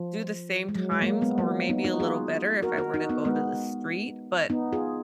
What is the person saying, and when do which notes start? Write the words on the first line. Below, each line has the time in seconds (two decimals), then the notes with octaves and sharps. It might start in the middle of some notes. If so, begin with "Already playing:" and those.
do the same times or maybe a little better if I were to go to the street, but
Already playing: F3
0.69 G#3
0.75 F#3
0.91 G#3
1.02 A#3
1.06 G#3
1.22 G#3 B3
1.38 F#3 A#3
1.69 B3 D#4
1.84 D#4 F#4
2.00 F4 G#4
2.63 F#4 A#4
2.78 F#4 A#4
2.94 D#4 F#4
3.09 B3 D#4
3.25 G#3 B3
4.50 B3 D#4
4.73 F4 G#4